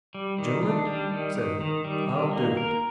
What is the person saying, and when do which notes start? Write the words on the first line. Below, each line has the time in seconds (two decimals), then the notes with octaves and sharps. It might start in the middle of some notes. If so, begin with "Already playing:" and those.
"Gentlemen," said he, "I'll do it!"
0.14 G3
0.38 D#3
0.63 D4
0.87 G3
1.11 D#3
1.36 D#3
1.60 D#3
1.84 G3
2.08 D#3
2.33 A#3
2.57 A#4